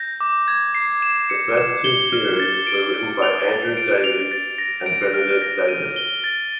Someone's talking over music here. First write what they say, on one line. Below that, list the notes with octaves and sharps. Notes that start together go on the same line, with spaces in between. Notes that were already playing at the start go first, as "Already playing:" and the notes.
The first two series were written by Andrew Davies and Bernadette Davis.
Already playing: G6 A#6
D6
G#6
C7
E7
C#7
E7
G7
F6
A6
D7
D7
F7
A6
D7
F7
A6
A#6
D7
F6
A#6
D#7
G7
A6